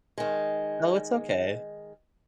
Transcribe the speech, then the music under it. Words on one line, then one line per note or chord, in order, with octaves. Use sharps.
no, it's okay.
D#3 G#3